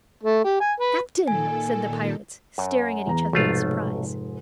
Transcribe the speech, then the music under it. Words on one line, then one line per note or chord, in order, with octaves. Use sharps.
"The captain!" said the pirates, staring at each other in surprise.
A3
G4
G#5
B4
A#2 D#3 A4 G#5
F#2
E2 A#5
F1 B1 G#2 A3 F4